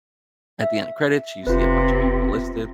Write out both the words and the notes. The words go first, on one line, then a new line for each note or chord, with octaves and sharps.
at the end credits, you see a bunch of people listed,
E5
F1 C3 F4 B4